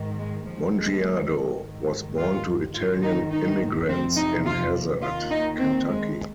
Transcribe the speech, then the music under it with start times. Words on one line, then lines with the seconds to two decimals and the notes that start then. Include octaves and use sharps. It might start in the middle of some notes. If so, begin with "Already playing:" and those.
Mongiardo was born to Italian immigrants in Hazard, Kentucky.
Already playing: G#2 D#3
0.18 G#3
0.46 D#2 D#3 F3
0.75 G#3
1.60 G#2 D#3
2.18 F4
2.74 G#2 D#3 F4
3.02 D#4
3.30 D#4
3.88 F2 C3 F3 C4
4.16 D#4
4.46 F4
5.02 D#2 D#3 F4
5.30 D#4
5.58 C4
5.88 G#3